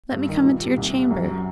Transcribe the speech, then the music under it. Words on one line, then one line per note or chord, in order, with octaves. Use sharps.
Let me come into your chamber.
G2
D#3
A#2
G3
C2
C3
F#2
F#3